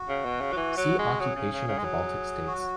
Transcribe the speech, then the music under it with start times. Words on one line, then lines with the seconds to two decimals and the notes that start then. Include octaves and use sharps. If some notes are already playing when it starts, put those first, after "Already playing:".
See Occupation of the Baltic states.
Already playing: F#4
0.09 C#3
0.25 B2
0.41 C#3
0.52 F#3
0.56 E3
0.77 F#3
0.99 G#3
1.20 F#3 G#4
1.35 C#3
1.52 C#3
1.67 C#3
1.78 G#3
1.84 F#3
2.47 F#4